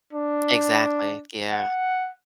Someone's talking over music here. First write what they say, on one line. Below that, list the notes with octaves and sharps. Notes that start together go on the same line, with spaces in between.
Exactly, yeah.
D4
F#5